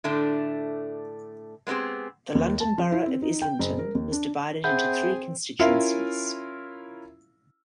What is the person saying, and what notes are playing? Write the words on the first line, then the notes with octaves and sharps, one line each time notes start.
The London Borough of Islington was divided into three constituencies.
A2 D3 A3 D4
G#3 B3 C4 G4 G#4
D#2
A5
F3
E4
C4
D#4
G5
F#1
A#4
D#2
D4
C4 G#4 E5 F#5 B5 G6
C#4 E4 F4 A#4 F5